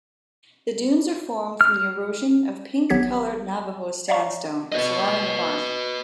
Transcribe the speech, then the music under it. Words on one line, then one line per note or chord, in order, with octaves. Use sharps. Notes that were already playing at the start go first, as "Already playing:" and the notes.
The Dunes are formed from the erosion of pink-colored Navajo Sandstone surrounding the park.
F6
G#1 F#3 B3 G4 G#6 B6
C#5 D5 E5 F5 A#5 C#6
B4 D#5